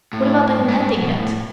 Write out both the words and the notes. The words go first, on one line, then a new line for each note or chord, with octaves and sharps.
"What about a landing net?"
A2
G2
G#2
G#2
B2
A2